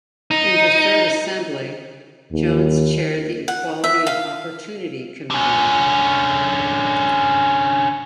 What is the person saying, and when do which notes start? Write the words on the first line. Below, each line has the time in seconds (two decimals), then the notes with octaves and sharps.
In the third Assembly, Jones chaired the Equality of Opportunity Committee.
0.31 D#4
2.32 D#2
3.48 F#5
3.84 E5
4.07 F5
5.30 D3 C#4